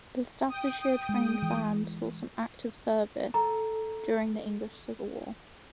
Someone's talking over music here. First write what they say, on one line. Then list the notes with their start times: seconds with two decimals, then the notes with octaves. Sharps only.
The Staffordshire Trained Bands saw some active service during the English Civil War.
0.49 G5 D#6
1.09 G#3
1.42 E3
3.34 A4 A#5